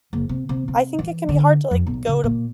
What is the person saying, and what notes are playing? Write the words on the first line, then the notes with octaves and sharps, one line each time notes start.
I think it can be hard to, like, go to
F#1
C3
C3
C3
E3
D3
F2
B1
C#3
A#2